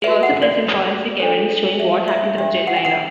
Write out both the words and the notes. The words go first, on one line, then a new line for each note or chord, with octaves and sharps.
They also present forensic evidence showing what happened to the jetliner.
F#4 B4 E5
F#5
D5
D4 A4 C5
E5
E5
D4 G4 C5 E5
F#5
G5
F#5